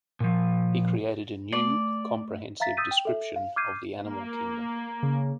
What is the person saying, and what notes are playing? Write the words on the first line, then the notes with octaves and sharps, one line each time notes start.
He created a new, comprehensive description of the Animal Kingdom.
A#2 F3
A3 D5
E5 F5 A#5 A6 B6
D#6 E6 G6 A6 B6 D#7
G5
A4 E5
F5
D6 F6 G6 G#6 C7 D#7
A#3
C#3